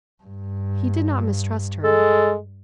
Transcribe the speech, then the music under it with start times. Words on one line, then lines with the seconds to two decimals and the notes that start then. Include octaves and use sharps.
He did not mistrust her.
0.24 G2
1.84 G#3 A4